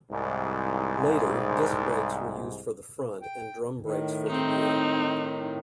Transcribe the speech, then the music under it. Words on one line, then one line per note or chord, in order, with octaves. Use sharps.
Later, disc brakes were used for the front and drum brakes for the rear.
C2 G#2
G5
A2 D#3
C4 D#4